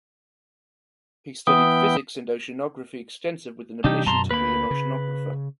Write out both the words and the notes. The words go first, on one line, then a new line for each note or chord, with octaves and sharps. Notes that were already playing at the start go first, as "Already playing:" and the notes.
He studied physics and oceanography extensive with an ambition to be an oceanographer.
E3 B3 G5 D#6
C3 E3 G3 D4 D#4 G4
F#2 B2 A5 A#5 C6
D2 A#3 B4 B5
C#3